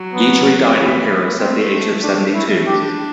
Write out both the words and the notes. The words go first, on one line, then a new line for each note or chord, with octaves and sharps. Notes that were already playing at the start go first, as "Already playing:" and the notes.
Guitry died in Paris at the age of seventy-two.
Already playing: F#3
B3
E3
A3 C4
D4
C#4 E4
D4 G4